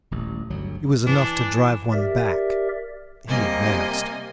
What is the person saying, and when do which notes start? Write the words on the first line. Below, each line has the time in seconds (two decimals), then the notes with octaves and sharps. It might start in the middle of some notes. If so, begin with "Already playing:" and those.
It was enough to drive one back: he advanced.
0.11 D#1 A1
0.50 G1 D2 F#3
1.07 E3 D4
1.92 G4 A#4 D5 E5
3.27 C3 G3 A#3 A#4 D#5 G#5